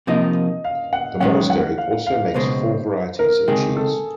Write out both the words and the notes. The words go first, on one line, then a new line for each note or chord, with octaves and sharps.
The monastery also makes four varieties of cheese.
C3 F3 A#3 D#4 D#5
F5
F#5
F#2 D#3 G#3 C#4 F#5
F#5
F5
F5
C#2 B2 G#3 C5
A#4
C#2 C3 D#3 G#3 C4 G#4
A4